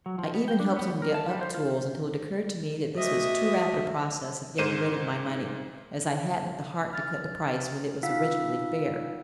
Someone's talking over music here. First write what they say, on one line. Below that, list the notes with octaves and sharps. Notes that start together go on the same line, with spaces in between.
I even helped him get up tools until it occurred to me that this was too rapid a process of getting rid of my money, as I hadn't the heart to cut the price when it was originally fair.
F#3
F3
B3
G5
D4
B3
D#2
A#4
A5
G3
C5
F4
D2 D#5 E5
G#2 C5 D#7 E7
F6 A6
D#4 F4 F5 F#5 E6 B6